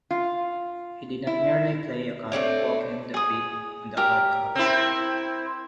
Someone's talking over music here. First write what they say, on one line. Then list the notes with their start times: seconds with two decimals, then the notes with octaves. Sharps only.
He did not merely play a cop walking the beat on 'The Odd Couple'.
0.11 F4
1.27 E4
2.32 A3 C4 D4 C#5
3.14 G#4 D#6
3.97 G4 A#4 E5
4.55 C4 E4